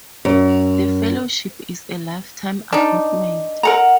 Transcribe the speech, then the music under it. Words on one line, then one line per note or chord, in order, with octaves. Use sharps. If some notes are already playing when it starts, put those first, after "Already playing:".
The Fellowship is a lifetime appointment.
F#2
D4 D#4
A#4 F#5 A#5